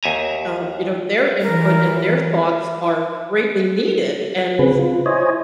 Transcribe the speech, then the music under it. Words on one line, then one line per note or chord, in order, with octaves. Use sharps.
um, you know, their input and their thoughts are greatly needed, and,
D#2 E5 G#5 A#5
E3 A#4
C#3 C4 G#4 B4
F4
E4 C5 C#5 D#5 G#5